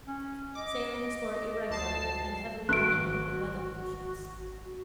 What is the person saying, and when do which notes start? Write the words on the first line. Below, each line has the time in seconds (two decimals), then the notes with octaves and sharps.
Sailings were irregular and heavily dependent on weather conditions.
0.07 C#4
0.55 D#5 D6
1.70 D2 A5 C7
2.69 G#1 G2 A3 F#4 E5 F#6 D7